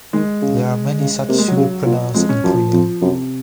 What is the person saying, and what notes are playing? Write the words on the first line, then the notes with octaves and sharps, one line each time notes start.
There are many such pseudo-pronouns in Korean.
D#3 G#3
C#3
C#3
C3 A#3
G#3
F#3
C#3
A#2
F2 G#3
C#4
F#2 F3
F2
F#2 C3